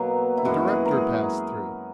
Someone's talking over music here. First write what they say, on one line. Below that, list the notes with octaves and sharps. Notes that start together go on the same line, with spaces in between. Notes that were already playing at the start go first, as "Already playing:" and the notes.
The director passed through.
Already playing: B2 F#3 A#3
E4
F#2 E3 G#3 F#4
G#4
A#4
G#4